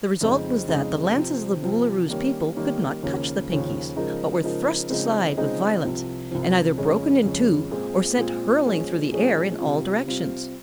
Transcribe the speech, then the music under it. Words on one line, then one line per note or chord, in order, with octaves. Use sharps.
The result was that the lances of the Boolooroo's people could not touch the Pinkies, but were thrust aside with violence and either broken in two or sent hurling through the air in all directions.
F2 C#3 G#3 C4 D#4
F2 C#3 G#3 C4 D#4
C3 F3 C4
C3 F3 C4
D#3 G3 A#3 C#4
D#3 G3 A#3 C#4
D#2 C#3 F3 A#3 C#4
D#2 C#3 F3 A#3 C#4
C#3 F3 G#3 D#4 A#4
C#3 F3 G#3 D#4 A#4
C#3 F3 G#3 C4 D#4
C#3 F3 G#3 C4 D#4
C2 C3 F3
C2 C3 F3
F2 C#3 G#3 C#4
F2 C#3 G#3 C#4
A#2 G#3 C4 F4 G#4
A#2 G#3 C4 F4 G#4
A#2 F3 G#3 C#4 G#4
A#2 F3 G#3 C#4 G#4
C3 G3 C4 F4
C3 G3 C4 F4